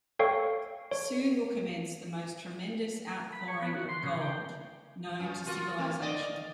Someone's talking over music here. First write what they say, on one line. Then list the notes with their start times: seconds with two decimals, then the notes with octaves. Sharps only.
Soon will commence the most tremendous outpouring of gold known to civilization.
0.19 A4 C#5 F5 G5 C#6
0.91 C#5
3.32 B5
3.48 C#5
3.62 B3
3.75 F#4
3.89 C6
4.03 C#3
4.21 G5
5.20 F#2
5.46 F4 F#4 A#4
5.78 A3 C4
6.01 A#3 D5 D#5